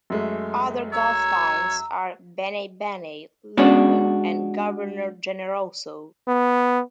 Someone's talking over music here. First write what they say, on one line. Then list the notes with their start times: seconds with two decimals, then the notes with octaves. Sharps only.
Other gulf towns are Banaybanay, Lupon and Governor Generoso.
0.10 F#2 G#3 A3
0.93 C#5 A#5 E6
3.58 G#3 B3 C#4 D4 F#4
6.28 B3